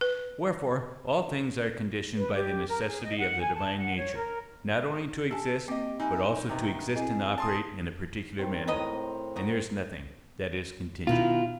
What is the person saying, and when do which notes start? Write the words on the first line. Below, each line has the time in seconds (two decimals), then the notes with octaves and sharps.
Wherefore all things are conditioned by the necessity of the divine nature, not only to exist, but also to exist and operate in a particular manner, and there is nothing that is contingent.
0.01 B4
2.16 B4
2.33 G4
2.68 A#4
2.88 G#4
3.03 D#5
3.17 F#5
3.39 G#5
3.53 A5
3.77 F#5
3.95 C#5
4.15 A#4
5.31 G4 A4 G#5 A5
5.68 A#3 C4 G4 D#5
6.00 E3 D#4
6.49 C3 D#3 B3
6.96 C4 E4 G#4 D#5
7.38 A5 C6 D#6
8.39 D#3 C4
8.68 A2 G#3 B4 D#5 A#5
8.93 C4
9.36 D#4 F#4
11.07 B2 D#3 E4 F4